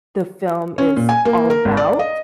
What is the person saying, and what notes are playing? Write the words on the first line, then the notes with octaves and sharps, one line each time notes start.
the film is all about.
C#4
A#2
G#5
A#3
A#4
G#1
D5
D#5